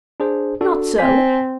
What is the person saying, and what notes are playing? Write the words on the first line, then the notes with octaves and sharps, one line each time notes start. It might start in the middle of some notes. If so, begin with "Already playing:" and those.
"Not so."
D4 G#4 C5
D4 F#4 A4
C4 C5 G#5 B6